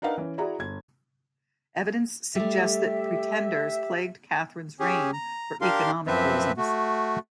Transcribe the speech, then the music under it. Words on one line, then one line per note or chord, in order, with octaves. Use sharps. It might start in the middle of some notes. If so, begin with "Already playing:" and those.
Evidence suggests that pretenders plagued Catherine's reign for economic reasons.
D4 D#4 A#4 B4 F5 F#5
E3 C#4
E4 F#4 G#4 D5 A#5
G1 G#6
G3 A3 G4 E5
C#4 G4 G#4
A#5
D4 G4 A#4 F5 C6
F#2 F3 C4 B4 E5
A3 F#4